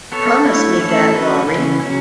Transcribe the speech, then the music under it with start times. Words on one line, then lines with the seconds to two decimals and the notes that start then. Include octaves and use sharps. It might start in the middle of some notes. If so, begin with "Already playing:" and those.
Promise me that, Laurie.
0.12 B3 A4 C#5
0.45 A3 E4 C#5
0.78 E3 A3 C#4 A4
1.13 F#3 C#4 F#4 B4
1.46 C#3 E3 C#4
1.80 C#3 F#3 C#4